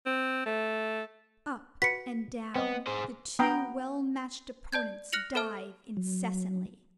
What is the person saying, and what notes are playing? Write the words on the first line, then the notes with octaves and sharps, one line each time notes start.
Up and down, the two well-matched opponents dive incessantly.
C4
A3
F#4 B4 B6 C#7
B3 C4 D#5
G#4 C5
B3 G5 A#5
D5 A5 G6 G#6
F6 F#6 A#6 C#7 F7 F#7
A4 C5 E5 A5 F6
F#3